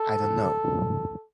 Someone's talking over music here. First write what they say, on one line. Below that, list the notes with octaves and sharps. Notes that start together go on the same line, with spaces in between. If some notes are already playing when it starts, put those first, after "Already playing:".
I don’t know.
Already playing: A4